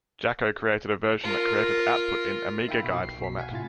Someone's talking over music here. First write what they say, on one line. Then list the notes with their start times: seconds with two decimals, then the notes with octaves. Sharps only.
Jacco created a version that created output in Amigaguide format.
1.23 F4 A#4
2.68 D#4 E5 F5 G5 B5
2.84 B2
3.00 B1 C7
3.20 B2 B6
3.39 F5 F#5 G#5 G#6
3.51 A2 C3 E4 F4 A6